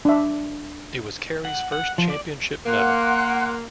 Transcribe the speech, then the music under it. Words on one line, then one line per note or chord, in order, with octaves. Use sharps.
It was Carey's first championship medal.
D4 E5
F#5
F#5
F3
D5
A#3 F#5 C6 F#6